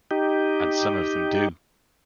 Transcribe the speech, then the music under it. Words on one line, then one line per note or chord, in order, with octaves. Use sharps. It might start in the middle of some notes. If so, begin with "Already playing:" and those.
And some of them do.
D#4 G4